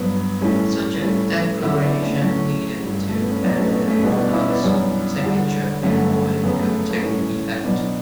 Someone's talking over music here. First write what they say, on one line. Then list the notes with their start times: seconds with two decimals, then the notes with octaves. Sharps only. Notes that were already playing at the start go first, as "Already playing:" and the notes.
Such a declaration needed to bear the monarch's signature before it could take effect.
Already playing: G2 F#3 B3
0.41 A2 E3 G3 A3 C#4
1.01 A2 G3 A3 C#4
1.61 E2 D3 F#3 C#4 E4
1.82 B3 D4
2.02 A3 C#4
2.22 A2 F#3 A3 C#4
2.83 G2 E3 G3
3.08 A3
3.19 B3
3.31 C#4
3.42 A2 F#3 B3 D4
3.57 A3 C#4
3.72 B3
3.88 A3 C#4
4.03 E2 B2 G3 B3 D4
4.17 B3 D4
4.32 C#4 E4
4.48 B3 D4
4.63 F#2 E3 G3
5.23 E2 D3 G3
5.83 G2 D3 F#3 A3 C#4
6.43 F#2 C#3 F#3 B3
6.58 A3
6.74 B3
6.89 A3 C#4
7.04 A2 E3 G3 A3 C#4
7.64 B2 F#3 B3 D4